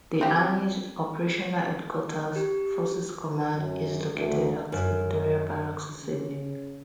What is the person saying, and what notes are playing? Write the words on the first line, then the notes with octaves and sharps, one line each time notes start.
The Army's operational headquarters, Forces Command, is located at Victoria Barracks in Sydney.
C4 G4
G4
F#2
D2
F#2
C#3